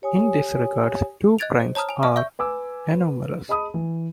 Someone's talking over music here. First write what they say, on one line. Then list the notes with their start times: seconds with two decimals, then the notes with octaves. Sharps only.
In this regard, two primes are anomalous.
0.02 G4 C#5 G#5 D#6
1.39 D#5 F#6 G#6 A6 D7 F7
1.60 C5
1.75 C#5 A5 A#5 D#6 F6
1.89 G#5 F7
2.03 D5 E5 F5 F6
2.16 E5 C#6 G6
2.39 B4 G#5 D6 E6
2.92 B4
3.48 G#4 D#5 A5 B5 D#6
3.74 E3